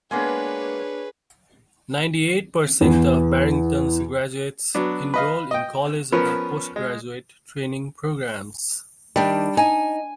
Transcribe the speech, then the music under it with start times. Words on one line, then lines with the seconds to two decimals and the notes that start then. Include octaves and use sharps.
Ninety-eight percent of Barrington's graduates enroll in college or post-graduate training programs.
0.11 G#3 A#3 B3 D4 G#4 B4 C#5
2.81 E2 E3
4.75 F#3 B3 D4
5.14 B4 D#5 F5
5.51 D#5 G5
6.12 F3 B3 C#4 A#4 B4 C#5
6.76 G#3
9.16 D#3 G3 D4
9.57 D#4 G#5